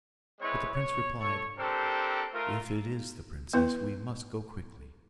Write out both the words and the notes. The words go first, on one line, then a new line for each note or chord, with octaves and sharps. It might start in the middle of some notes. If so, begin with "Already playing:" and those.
But the prince replied, 'If it is the princess, we must go quickly.
G#3 C4 E4 B4 C#5
C#5
A4 C#5 C#6
C4 D4 G4 A4 A#4 C5
A3 F4 A#4
B3 E4 B4